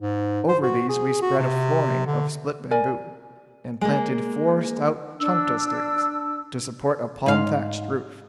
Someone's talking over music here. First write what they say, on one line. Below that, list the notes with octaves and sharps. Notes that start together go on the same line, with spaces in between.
Over these we spread a flooring of split bamboo, and planted four stout chonta sticks to support a palm-thatched roof.
G#2
C5
F#4
G#4
F#4
C3
D3
A#4 D5 G#5
G#3 A#3
D4 E6
G#2 F5